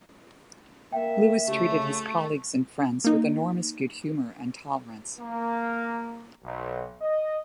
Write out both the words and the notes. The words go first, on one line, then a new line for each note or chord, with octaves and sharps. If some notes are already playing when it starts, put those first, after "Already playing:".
Lewis treated his colleagues and friends with enormous good humor and tolerance.
A#3 E5 G5
C#3 A3 F#4 G4
A#3 D#4
A#3
B1
D#5